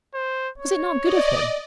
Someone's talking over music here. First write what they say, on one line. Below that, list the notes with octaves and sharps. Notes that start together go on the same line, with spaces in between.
Was it not good of him?'
C5
C#5
D5 D#5